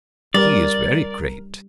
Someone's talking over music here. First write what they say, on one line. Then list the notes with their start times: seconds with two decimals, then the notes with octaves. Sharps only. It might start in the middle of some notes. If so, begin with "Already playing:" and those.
He is very great.
0.34 G3 A#4 D5